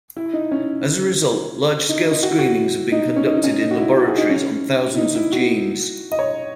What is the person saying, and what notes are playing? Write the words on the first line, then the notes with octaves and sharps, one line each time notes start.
As a result, large-scale screenings have been conducted in laboratories on thousands of genes.
E4
D#4
C#4
D#4
E4
D#4
F#4
E4
F#4
D#4
C#4
D#4
D#4
C#4
D#4
F#4
E4
F#4
G#4
D#4
C#4
E4
D#4
E4
F#4
D#5
C#5